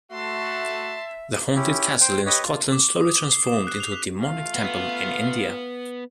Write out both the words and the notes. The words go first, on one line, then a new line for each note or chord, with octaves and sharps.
The haunted castle in Scotland slowly transformed into a demonic temple in India.
A3 F#4 E5 A5 C6
C#4 E4 G4
C5 G5
G4 B4 C#5 D#5
F4
D6
D#6
G7
C7
E7
F#6
F7
B6
A3 F4 F5
B3